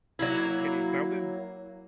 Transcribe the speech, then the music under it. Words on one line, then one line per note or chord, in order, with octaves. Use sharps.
Can you sell them?
F#3 A#3 E4